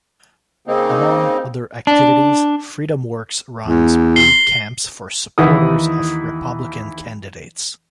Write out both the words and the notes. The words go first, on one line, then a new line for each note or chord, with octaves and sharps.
Among other activities, FreedomWorks runs boot camps for supporters of Republican candidates.
C#3 A#3 C4 D#4
D4
E2
C7 G7
D#2 E3 D#4 E4 F#5 D#6